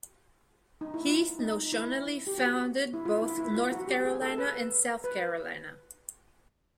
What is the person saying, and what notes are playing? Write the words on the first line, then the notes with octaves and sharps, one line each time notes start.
Heath notionally founded both North Carolina and South Carolina.
D#4
E4
F4
D#4
E4
G4
F#4
E4
F4
E4
E4
F4
F#4
G4
G#4
A4
B4
B4